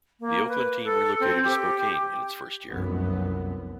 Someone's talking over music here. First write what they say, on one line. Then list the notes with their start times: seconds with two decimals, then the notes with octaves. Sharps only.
The Oakland team relocated to Spokane in its first year.
0.21 A#3
0.48 B4
0.85 A4
1.20 C4
1.44 G4
2.68 F1 C2 F#2 F#3 B3